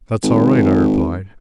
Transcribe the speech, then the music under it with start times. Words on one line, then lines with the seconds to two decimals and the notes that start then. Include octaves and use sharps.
"That's all right," I replied.
0.24 G#1